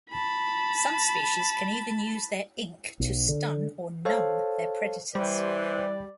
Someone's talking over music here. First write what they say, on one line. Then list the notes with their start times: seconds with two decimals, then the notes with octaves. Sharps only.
Some species can even use their ink to stun or numb their predators.
0.10 A5 B5
3.00 B1
3.28 D3
4.05 A4 C5 C#5 F5 A5
5.15 E3 G3 C5 D5